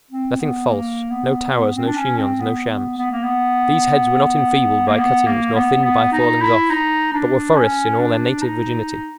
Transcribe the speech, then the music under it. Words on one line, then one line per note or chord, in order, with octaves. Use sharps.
Nothing false; no towers, no chignons, no shams! These head were not enfeebled by cuttings nor thinned by fallings-off, but were forests in all their native virginity!
C4
B3
A#3
B3
B3
C4
D4
C#4
C4
B3
B3
B3
A#3
B3
A#3
B3
A#3
B3
B3
D#4
E4
D#4
D4
C#4
D4
D#4